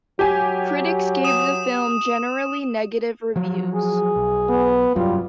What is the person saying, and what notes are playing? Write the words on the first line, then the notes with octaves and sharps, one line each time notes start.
Critics gave the film generally negative reviews.
F#3 G4 G#5
D#6 E7
F3 F#3
G#4
B1
B3
F1 G2 F#3 G3 F4